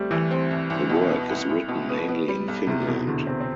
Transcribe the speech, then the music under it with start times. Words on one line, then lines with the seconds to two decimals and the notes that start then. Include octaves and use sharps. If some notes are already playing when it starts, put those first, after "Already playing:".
The work is written mainly in Finland.
Already playing: G3 A3 C4
0.11 C2 E3
0.31 C4
0.51 C2
0.70 C2
0.89 B2
1.10 B3
1.29 C2
1.49 C2
1.68 B2
1.89 B3
2.08 B3
2.28 G3
2.48 B1
2.67 E2 C3
2.87 E2 B2
3.07 E2 D3
3.27 E2 C4
3.41 C4